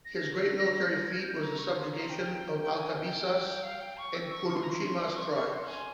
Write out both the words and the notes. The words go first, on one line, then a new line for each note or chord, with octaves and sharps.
His great military feat was the subjugation of Alcabisas and Culunchimas tribes.
A#6
G#6
G6
A#5
C#6
C6
A#5
G5
G5
G#5
G5
F5
G5
C#6
E6
C#6
C#6
C6
A#5
C6
C#6
C#6
C6
G#5